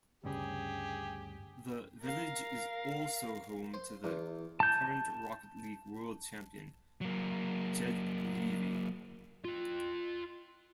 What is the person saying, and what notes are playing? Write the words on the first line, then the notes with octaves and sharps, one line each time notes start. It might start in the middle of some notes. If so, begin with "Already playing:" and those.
The village is also home to the current Rocket League World Champion, Jed Levy.
D2 G2 C#3 G4 G#4
A#4 F5
C5
E2
A5 G6
F#3 A#3
F4 G5